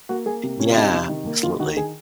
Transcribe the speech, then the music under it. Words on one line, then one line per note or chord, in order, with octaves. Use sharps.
Yeah. Absolutely.
A#3 F#4
A#3 G#4
C3
C3 C#4
F4
C3 D#4
C3
D#3
A#3
D#3 F4
D#3 F#4
D#3 G#4